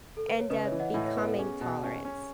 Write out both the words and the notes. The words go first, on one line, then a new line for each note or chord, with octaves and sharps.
end up becoming tolerance,
A4
B4
C#5
C#3 B4 D#5
C#5 E5
E3
D#5 F#5
A2 E5 G#5
C#5 E5
B3 B4
A4
C#4 G#4
B2
C#4
C#4